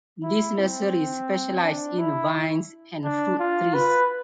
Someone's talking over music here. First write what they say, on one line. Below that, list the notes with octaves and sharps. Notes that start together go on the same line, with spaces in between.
This nursery specialised in vines and fruit trees.
E4
C4
D4
E4
D4
F4
B4